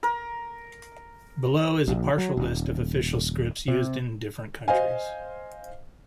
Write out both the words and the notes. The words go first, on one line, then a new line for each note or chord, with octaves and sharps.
Below is a partial list of official scripts used in different countries.
A#4
A#1
F#3
D#1
C3
C5 D#5 F5 G#5